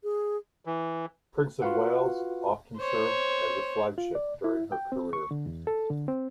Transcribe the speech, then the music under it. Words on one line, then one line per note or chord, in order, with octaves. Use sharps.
"Prince of Wales" often served as a flagship during her career.
G#4
E3
F4 F#4 B4 F5 F#5
C5 C#5
F4
D5
E4
G5
C4
C#6
D3
E2
A4
D3
C4